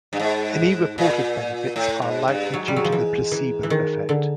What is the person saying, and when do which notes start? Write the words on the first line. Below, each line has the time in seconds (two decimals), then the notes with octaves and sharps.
Any reported benefits are likely due to the placebo effect.
0.13 G2
0.20 G#2
0.98 A#2
1.76 A2
2.02 G#2
2.28 G2
2.54 G#2 F#3
2.68 G3
2.76 F#3
2.85 F3
2.92 E3
3.32 E3
3.63 E3
3.70 D#3
4.09 D3